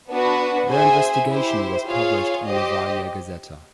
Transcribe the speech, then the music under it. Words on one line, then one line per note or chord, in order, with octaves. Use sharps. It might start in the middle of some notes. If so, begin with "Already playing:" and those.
Their investigation was published in "Novaya Gazeta".
B3 D4 F#4 B4
G#4 C5 E5 G#5
E4 G4 C5
F4 G#4 C#5 F5
G4 C5 D#5